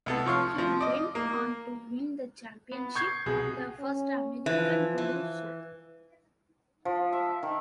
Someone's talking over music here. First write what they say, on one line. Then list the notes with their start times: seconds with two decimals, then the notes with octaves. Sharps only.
Hill went on to win the championship, the first American to do so.
0.06 C2 B3 A4
0.26 F3 C#5 F5
0.55 C3 F3
0.81 D5 D#5
1.15 A#3
2.72 B3
2.95 C#6 G6 G#6 C7
3.26 C2 B2 G#4
3.79 C#4
4.46 E3 F3
4.98 E3
6.85 F3
7.12 E5
7.43 D#3